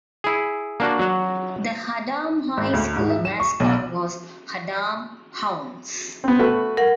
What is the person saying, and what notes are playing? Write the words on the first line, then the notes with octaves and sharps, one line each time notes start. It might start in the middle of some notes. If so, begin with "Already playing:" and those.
The Haddam High School mascot was Haddam Hounds.
E4 G#4
A#3 D4 F#4
F#3 F#4
G#1
D2
G#2
E5
E7
C#6
B1
B3 C4
A3 F#4 B4
A#4 F#5